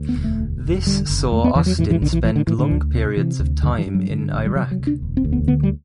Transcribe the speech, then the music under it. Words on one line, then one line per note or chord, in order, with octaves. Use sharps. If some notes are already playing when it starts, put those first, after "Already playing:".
This saw Austin spend long periods of time in Iraq.
Already playing: D2
B3
E1
A3
D2
E1
D3 G3
F#1
E2 A3
B3
E2 E3
F#3
A2 E3
E3
B1 D3
E3
A2 E3
D3
A2 E3
D3
D2
C3
C3 E3
D2
G2 D3
E3
G2
F#3
D3
A1
G3
C3 F#3
F#3
D2
D4
E1
C4
D2
B3
D3 B3
G3